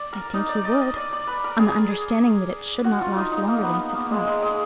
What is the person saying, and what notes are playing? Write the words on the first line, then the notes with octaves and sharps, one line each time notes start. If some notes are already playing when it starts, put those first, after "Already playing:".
"I think he would--on the understanding that it should not last longer than six months."
Already playing: D5
A#4
D#4
D5
D#5
D#5
D5
D5
B4
A#4
G#4
F#4
F4
D#4
D#4
A#3
B3
A#3
G#3
G#3
G#3